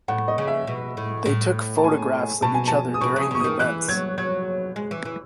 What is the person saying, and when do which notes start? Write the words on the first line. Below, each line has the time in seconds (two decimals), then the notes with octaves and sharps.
They took photographs of each other during the events.
0.08 A2 F#5
0.28 D#5
0.38 C#3
0.48 E5
0.67 B2
0.97 A2
1.26 A2
1.78 A5
1.84 G#5
2.42 B2 A5
2.54 G#5
2.68 A5
2.94 D#6
3.01 B2 C#6
3.16 C#3 D#6
3.31 C#3 C#6
3.40 D#3 D#6
3.59 E3 F#6
3.88 F#3 G#6
4.18 F#3 G#6
4.76 G#3
4.91 E3
5.05 E3